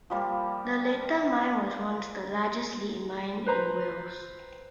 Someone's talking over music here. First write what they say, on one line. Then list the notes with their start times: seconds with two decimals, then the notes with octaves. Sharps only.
The later mine was once the largest lead mine in Wales.
0.10 F3 G3 A#3
3.47 B4 C5 A#5